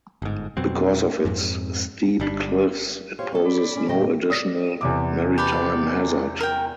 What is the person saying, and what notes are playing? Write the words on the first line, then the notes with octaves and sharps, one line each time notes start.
Because of its steep cliffs, it poses no additional maritime hazard.
G1 G#2
F2 B2 F#3 C4
F2 G#2
G1 G3 D4
F4 G4 C5 C#5 F5
A#3 C#4 A4
D5 B5
C#4
A2 C#3 G3 A3 D#5 G5
D5 D#6
E2 C3 D6
G4 B4 D5
A#4 G5